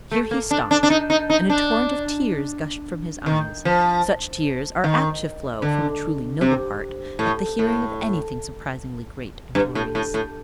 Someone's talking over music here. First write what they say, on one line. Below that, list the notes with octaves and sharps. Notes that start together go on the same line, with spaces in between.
Here he stopt, and a torrent of tears gushed from his eyes; such tears are apt to flow from a truly noble heart at the hearing of anything surprisingly great and glorious.
A3
A#3
D4
D4
D4
D#4
D#4
D#4
D4
D#3
F3
D#3
D3
C3
A2
A2
G2
A2
A2
A2